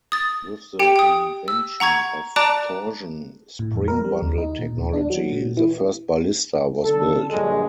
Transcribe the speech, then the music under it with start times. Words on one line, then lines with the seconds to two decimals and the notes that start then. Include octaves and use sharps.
With the invention of torsion spring bundle technology, the first ballista was built.
0.12 D#6 A6
0.79 G4 G5 C#7
0.96 G5 D#6
1.48 E6
1.80 F#5 A#5 C#6 G#6
2.36 D5 A5 A#5 D6 F#6 D7
3.59 A2
3.75 F2
3.88 A#4
4.05 G3
4.22 D#2
4.38 D#4
4.59 A#2
4.78 D#2
4.93 D4
5.10 F#3
5.32 A#2
5.57 E3
6.84 D3 A4
7.30 A#1 G2 D3 F#3 G#3